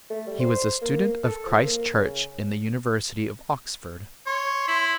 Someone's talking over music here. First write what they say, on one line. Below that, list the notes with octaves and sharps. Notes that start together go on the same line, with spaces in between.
He was a student of Christ Church in the University of Oxford.
A3
G3
C5
A#3
A4
F3
A#3
C#3
C#5 C6
E4